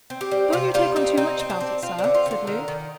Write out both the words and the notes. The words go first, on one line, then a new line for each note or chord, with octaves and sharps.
"Don't you take on too much bout it, sir," said Luke.
C4
G4
G3
C3 F4
G3 F4
C4 D#4
C4 D#4
C4
D4
C4
C4 F4
D4
D3
F4
D3
F4
D#3 A#4
D#3